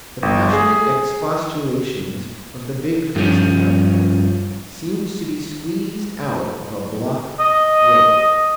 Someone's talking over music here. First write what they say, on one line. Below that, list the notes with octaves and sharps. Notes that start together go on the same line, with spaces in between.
The passionate expostulations of the big-faced cabman seemed to be squeezed out of a blocked throat.
G1
G#4
G2 F3 C#4
D#5